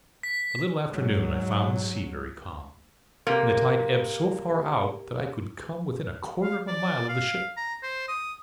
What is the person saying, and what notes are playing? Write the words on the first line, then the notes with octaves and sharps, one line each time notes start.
A little after noon I found the sea very calm, and the tide ebbed so far out that I could come within a quarter of a mile of the ship.
B6
G#2 F#3
C3 A#3
F5
D5
F5
A#5
C5
D#6